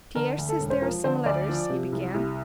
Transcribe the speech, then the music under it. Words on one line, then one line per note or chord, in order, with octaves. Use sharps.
"Pierre says there are some letters," he began.
D3 A#4
D2
A4
E1
C5
F3 A#4
D3 C5
D2 D5
F3
C3
C2
C2